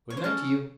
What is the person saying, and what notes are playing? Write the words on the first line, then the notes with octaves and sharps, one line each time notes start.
"Good-night to you."
C#5
C5
C#4 A4